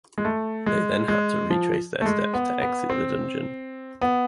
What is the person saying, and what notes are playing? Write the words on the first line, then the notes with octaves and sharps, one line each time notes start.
They then had to retrace their steps to exit the dungeon.
G#3
A3
G#3
G#3
F3
A3
G#3
B3
B3
C4
B3